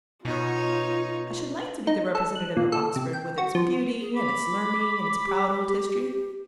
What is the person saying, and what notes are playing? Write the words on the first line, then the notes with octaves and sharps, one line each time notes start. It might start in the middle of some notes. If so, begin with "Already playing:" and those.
I should like to be the representative of Oxford, with its beauty and its learning, and its proud old history.
B2 D#4 F4 C#5
D#4
A4
F#6
A#2
A4
C3
G5
F#4
F3
G#4
B5 D6
G4